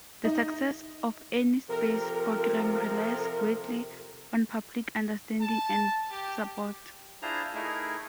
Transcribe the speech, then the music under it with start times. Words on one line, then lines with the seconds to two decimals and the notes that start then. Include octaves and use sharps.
The success of any space program relies greatly on public understanding and support.
0.25 D#4
1.69 C3 F3 A4 A#4
5.40 A5
6.10 G4
7.22 D4 E4 F4 G#4 C5 A#5
7.55 A3 D#4 E4 G#4 A#4